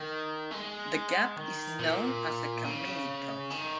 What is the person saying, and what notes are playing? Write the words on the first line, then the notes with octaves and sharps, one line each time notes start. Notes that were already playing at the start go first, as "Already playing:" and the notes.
The gap is known as the Camille Cut.
Already playing: D#3
G#3
D#3
A#2
C#3
D#3